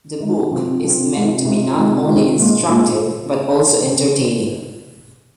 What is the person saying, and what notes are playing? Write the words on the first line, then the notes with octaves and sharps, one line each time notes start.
The book is meant to be not only instructive but also entertaining.
D#3 G#3 D#4
C3 F3 C4 F4
C3 F3 C4 F4
C3 G#3 F4
C3 G#3 F4
C3 D#3 G#3 C4 F4
C3 D#3 G#3 C4 F4
A#2 G#3 F4
A#2 G#3 F4